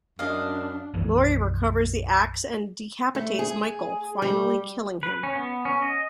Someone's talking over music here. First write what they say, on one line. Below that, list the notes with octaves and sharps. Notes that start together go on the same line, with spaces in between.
Laurie recovers the axe and decapitates Michael, finally killing him.
F#2 D4 D#5 F5
B1 F#2 E3
A3
G#4
G3
B4
C#4
B3
C#4
D#5